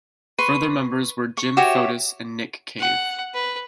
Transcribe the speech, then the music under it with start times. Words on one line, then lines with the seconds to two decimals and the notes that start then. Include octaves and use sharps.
Further members were Jim Foetus and Nick Cave.
0.38 B4 C6 C#6
1.37 C#6
1.57 F#4 G4 C#5 E5
2.79 F#5
3.34 B4